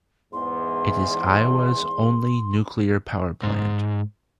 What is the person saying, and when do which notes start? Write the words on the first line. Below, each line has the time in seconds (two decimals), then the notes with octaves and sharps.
It is Iowa's only nuclear power plant.
0.33 E2 G#2 C6
3.43 G#2